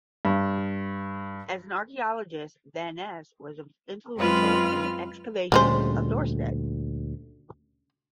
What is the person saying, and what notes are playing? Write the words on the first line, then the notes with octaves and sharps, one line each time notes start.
As an archaeologist van Es was influential in the excavations of Dorestad.
G2
F#2 G#3 C4 F4 B4 F6
D2 A#2 C#3 G3 G#3 C5